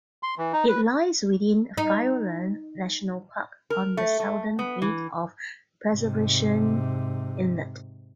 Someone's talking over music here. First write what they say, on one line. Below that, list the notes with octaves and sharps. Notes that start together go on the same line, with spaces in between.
It lies within Fiordland National Park on the southern head of Preservation Inlet.
C6
E3
D#4
B4
D#4
A#4
A3
A3
B3
E3
G#2 C3